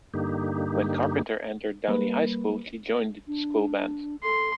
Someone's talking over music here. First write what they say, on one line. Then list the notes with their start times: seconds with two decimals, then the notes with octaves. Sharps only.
When Carpenter entered Downey High School, she joined the school band.
0.14 G2 D3 A#3 D#4 G4
1.88 G3 A#3 A#4 B4
3.27 D4
4.23 A4 C6